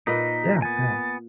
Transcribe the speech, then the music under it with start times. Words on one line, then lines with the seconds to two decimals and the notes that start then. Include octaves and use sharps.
Yeah, yeah.
0.07 A#2 D#4 A#4 B4 D#5 B6
0.62 B3 G#5 A6